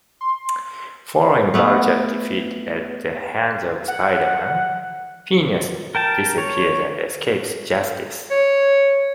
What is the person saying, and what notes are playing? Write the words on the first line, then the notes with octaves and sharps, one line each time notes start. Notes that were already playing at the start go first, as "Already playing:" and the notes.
Following Vulture's defeat at the hands of Spider-Man, Phineas disappears and escapes justice.
C6
A3 B3
F#5
A#4 G5 A5
C#5
C#5